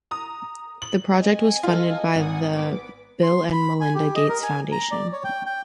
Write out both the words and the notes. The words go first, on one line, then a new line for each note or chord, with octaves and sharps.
The project was funded by the Bill and Melinda Gates Foundation.
A#5 D#6
F#7
C4 D#5 G#5
F4 A4
G#1 F#5 G#5 D#6
B3 B4 D6
C6
B5
G#5
G4
D#5
A#4
G#5
A#5
D5
C#5
G5
G5